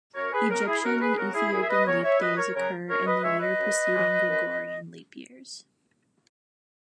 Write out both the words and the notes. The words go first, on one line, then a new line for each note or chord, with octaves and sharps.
Egyptian and Ethiopian leap days occur in the year preceding Gregorian leap years.
F#2 A#4 C#5
G#4 B4
C#3 F#3 B3 F#4 A#4
E4 G#4
F#2 F#4 A#4
G#4 B4
C#3 F#3 B3 F#4 A#4
E4 G#4
F#2 E4 G#4
E5
B4 D#5
C#3 F#3 B3 A#4 C#5
C#5 E5
F#2 B4 D#5
A#4 C#5
C#3 F#3 B3 A#4 C#5
F#2 A#4 C#5
B4 D#5
C#3 E3 G#3 C#5 E5
B4 D#5
F#2
C#3 E3 G#3
F#2